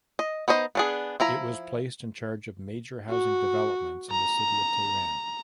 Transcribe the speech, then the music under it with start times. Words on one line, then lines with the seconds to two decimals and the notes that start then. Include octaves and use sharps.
It was placed in charge of major housing developments in the city of Tehran.
0.19 D#5
0.48 B3 D#4 C5 D#5
0.75 B3 D4 G#4
1.20 F3 E4 A#5
3.10 F#4
4.11 A#5